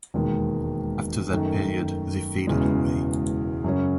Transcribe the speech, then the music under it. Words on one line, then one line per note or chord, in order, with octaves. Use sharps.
After that period, they faded away.
E1 D#2 D#3 G#3
F#2 D#3 A3
E1 E2 C#3 E3 G#3
F#2 C#3 F#3 C#4